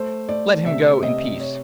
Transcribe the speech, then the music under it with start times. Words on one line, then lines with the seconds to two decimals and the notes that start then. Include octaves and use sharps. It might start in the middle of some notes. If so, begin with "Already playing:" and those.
Let him go in peace.'
Already playing: A3 C5
0.29 A3 D5
0.65 C3 E5
1.02 C3 D#5
1.40 C#5